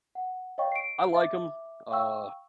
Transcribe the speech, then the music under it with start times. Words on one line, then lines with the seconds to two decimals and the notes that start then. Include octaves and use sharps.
I like 'em. Uh,
0.15 F#5
0.58 C#5 D#5 F5 G5 C#6
0.72 C7 D7
1.14 E5 D6
1.91 F5 G5 C#6 E6